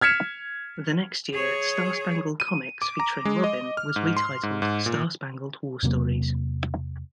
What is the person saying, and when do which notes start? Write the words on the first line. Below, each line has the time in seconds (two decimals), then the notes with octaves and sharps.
The next year "Star Spangled Comics", featuring Robin, was retitled "Star Spangled War Stories".
0.01 F6 G#6 B6 C#7 E7
1.32 G#4 C#5
2.40 D#7
2.82 D6
2.99 A#5
3.25 G#3
3.44 D#5
3.77 F6
3.96 G#2
4.17 C6
4.43 G#2
4.62 G#2
4.86 A#2
5.83 E2 C3 F#3 A#3